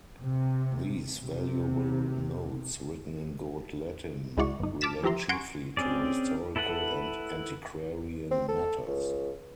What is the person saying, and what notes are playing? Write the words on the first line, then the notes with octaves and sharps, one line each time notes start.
These valuable notes, written in good Latin, relate chiefly to historical and antiquarian matters.
C3
C3
C#2 G#3 E4 F#4 D5 C#6
G1 D#4
A5 D6 F6 A6 B6 E7
E3 F3 G4 E5 A#5 C6
F#5 G#5 A#5 C6 C#6 D7
C4 C#4 G#4 D5
E4 A4 B4 F#5
C4
A4
C#2